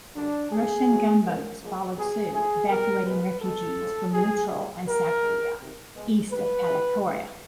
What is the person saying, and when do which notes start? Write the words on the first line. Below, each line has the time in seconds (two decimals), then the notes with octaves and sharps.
Russian gunboats followed suit, evacuating refugees from Loutro and Sougia, east of Paleochora.
0.15 F#2 D3 G3 D4
0.51 E2 C3 D#3 G#4
0.88 B2 F#3 A3
1.23 F2 C#3 F#3 A3 A#4
1.60 A#2 F3 G#3
1.96 B2 G3 G#4
2.32 G#2 F3 A3 G#4
2.68 E2 B2 G3 A#4
3.05 B2 G#3 B4
3.41 B2 G#3 A4
3.77 F2 C#3 F3 G#3
4.13 C3 D#3 G3 G#4
4.50 A#2 G3
4.86 A#2 G3 A#4
5.22 F#2 D#3 G#3
5.58 F2 C3 D#3
5.95 B2 G#3
6.30 F#2 D3 G3 B4
6.66 F2 C3 E3 G#3
7.03 F2 C#3 F#3 A3